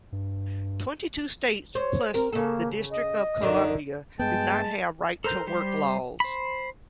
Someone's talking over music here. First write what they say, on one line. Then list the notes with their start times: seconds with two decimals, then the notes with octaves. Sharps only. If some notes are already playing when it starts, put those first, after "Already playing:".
Twenty-two states, plus the District of Columbia, do not have right-to-work laws.
0.12 G2
1.75 C5 C#5
2.14 C4 A#4
2.33 C#3 A#3 A4
2.91 D#5
3.42 F#2 D3 D#3
4.19 G2 G#3 B3 G5 A5
5.24 A4 A#4 C5 A#5 G6
5.47 G3 G4 C5
6.20 C5 B5